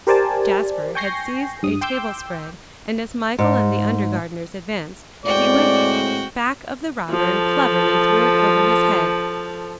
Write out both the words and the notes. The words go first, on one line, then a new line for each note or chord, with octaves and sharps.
Jasper had seized a table-spread, and as Michael and the undergardeners advanced, he went back of the robber, and cleverly threw it over his head.
G4 A#4 C5 D5 G#5 A5
G5 G#5 C#6 G6 A#6 C7
G2 D#6
G5 C6 D6 E6 G6
G#2
A2 G#3 C4 F#4 D5 G5
F3 A4